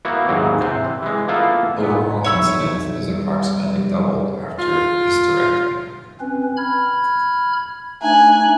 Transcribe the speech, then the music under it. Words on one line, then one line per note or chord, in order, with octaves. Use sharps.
Overall incidence is approximately doubled after hysterectomy.
A#3 B3 E4 F#4
D#2 G#2 E3 F#3 C4
C3 E3 C5
E3 G#3
A#3 B3 E4 F4 A4
A#2 B3
B1 C#5 E5 B5
G3
F4
C4 C#4 B4
B5 F6 G#6
A3 D4 D#4 G#5 F#6